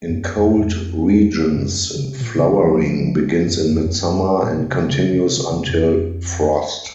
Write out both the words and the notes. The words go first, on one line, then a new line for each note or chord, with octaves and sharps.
In cold regions, flowering begins in mid summer and continues until frost.
F2
F#2
F2
F#2
F2
F#2
F2
F#2
C#3
C3
A#2
C#3
D#3
D#3
F#3
F3
F3
F3
F#2
F2
F2
F#2
A#2
C3
C3
C#3
C3
C3
C3
F2